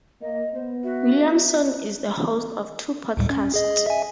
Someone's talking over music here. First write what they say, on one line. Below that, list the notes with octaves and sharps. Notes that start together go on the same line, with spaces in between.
Williamson is the host of two podcasts.
A#3 D#5
B3 C5
F#4 E5
D2 A2 G3
C#4
G#4 D#5
E5 G#5